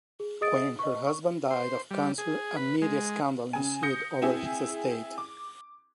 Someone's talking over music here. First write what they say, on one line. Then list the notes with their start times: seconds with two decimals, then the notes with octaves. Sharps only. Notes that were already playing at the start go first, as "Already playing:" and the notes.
When her husband died of cancer, a media scandal ensued over his estate.
0.20 G#4
0.41 G#4 D#5 D#6 A6 D7
0.79 D#5 C#6
1.07 C#6
1.50 C5
1.91 G3
2.18 G#4
2.56 B4
2.82 G#3
3.53 C#3 G#5
3.83 D#6 G6 A#6 C#7
4.22 C4 E4 G#4
5.18 D6